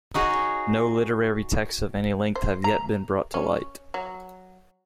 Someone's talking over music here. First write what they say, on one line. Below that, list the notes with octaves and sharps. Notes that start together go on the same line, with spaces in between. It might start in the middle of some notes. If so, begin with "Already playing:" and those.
No literary texts of any length have yet been brought to light.
D#4 F#4 G#4 C#5
C5
A#5
C#4
F#3